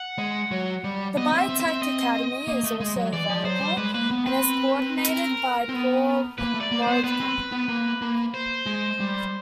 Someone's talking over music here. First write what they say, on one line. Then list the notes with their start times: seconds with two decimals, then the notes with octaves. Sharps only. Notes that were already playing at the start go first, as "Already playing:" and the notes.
The Biotech Academy is also available, and is coordinated by Paul Moradkhan.
Already playing: F#5
0.18 G#3
0.51 F#3
0.84 G3
1.17 B3 D#5
1.33 C4
1.38 E5
1.49 C4
1.60 E5
1.66 C4
1.82 D#5
2.48 A#3
2.64 A3
2.80 G#3
2.96 F#3
3.13 E3 D5
3.29 F3
3.45 F#3 C5
3.61 G3
3.77 G#3 B4
3.94 A#3 B4
4.11 B3
4.26 C4 B4
4.98 B4
5.09 A#4
5.69 C4
5.74 B3
6.38 A#3 B4
6.54 A3
6.60 D5
6.72 A#3
6.82 C5
6.87 B3
7.04 B3 B4
7.20 C4
7.52 B3
7.68 A#3
8.02 A#3
8.34 C5
8.66 G#3
9.00 G3